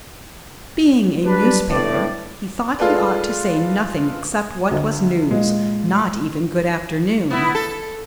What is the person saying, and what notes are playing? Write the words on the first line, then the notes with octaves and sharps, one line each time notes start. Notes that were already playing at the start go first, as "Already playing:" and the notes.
Being a newspaper, he thought he ought to say nothing except what was news--not even "Good afternoon!"
F#3 G3 D4 B4
G1 A2 D5
G#3 F4 A4 B4 D5
D2 D#5
A#2 G#3
B3 E4
A4